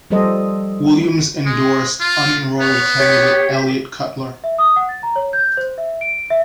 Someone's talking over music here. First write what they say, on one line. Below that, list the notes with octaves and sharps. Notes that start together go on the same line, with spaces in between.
Williams endorsed unenrolled candidate Eliot Cutler.
F3 G3 G4 A4 C5 D#5
G#3
F4
B3 C#5
G4 C#5
E5
D#6
F#5
A6
A#5
C#5
G6
C5
E5
D7
E5